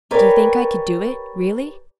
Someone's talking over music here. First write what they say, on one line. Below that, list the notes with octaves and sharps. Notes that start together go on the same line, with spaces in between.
"Do you think I could do it, really?"
G4 A#4 B4 C#5 D5 G#5